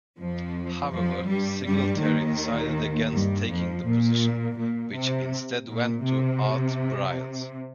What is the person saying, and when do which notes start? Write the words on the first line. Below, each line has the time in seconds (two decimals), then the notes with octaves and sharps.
However, Singletary decided against taking the position, which instead went to Art Briles.
0.19 F2 F3
0.92 F2 F3
1.29 G2 G3
1.65 G2 G3
2.02 D#2 D#3
3.11 G2 G3
3.47 F2 F3
3.85 A#2
4.56 A#2
4.94 C3
5.67 A#2
6.03 C3